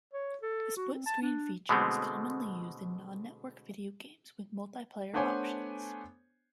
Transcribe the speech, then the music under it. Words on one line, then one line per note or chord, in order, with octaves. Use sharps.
The split screen feature is commonly used in non-networked video games with multiplayer options.
C#5
A4
F#4
C4
A5
D4
B2 D3 G#3 A3 B3 C4
A3 B3 D4 C5 C#5 G#5